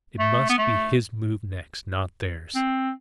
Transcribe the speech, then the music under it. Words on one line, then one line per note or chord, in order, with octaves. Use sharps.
It must be his move next--not theirs!
A3
B3
A3
C4